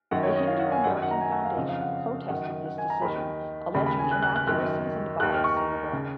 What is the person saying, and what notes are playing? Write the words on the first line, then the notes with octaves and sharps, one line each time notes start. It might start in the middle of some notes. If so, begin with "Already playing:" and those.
The Hindu American Foundation protested this decision, alleging inaccuracies and bias in the book.
F#2 D#3 F#5
C#5
D#5
F5
F#5
G#5
F#2 D#3 F#5
F#5
A#5
G#5
F#5
F5
F2 C#3 D#5
F5
F#5
F#2 D#3 F#5
F#5
G#5
A#5
D#2 D#3 B5
D#2 C#3 B5
B5
G#5
F#6
F#6
F#6
F#2 D#3 F#6
D#2 D#3 F#6
F6
C#6
A#5
C#3